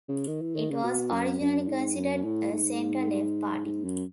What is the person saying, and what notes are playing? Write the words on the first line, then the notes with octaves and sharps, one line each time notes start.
It was originally considered a centre-left party.
C#3
D#3
E3
D#3
C#3
B2
F#2
F#2
G#2
F#2
A2
G#2
G#2
F#2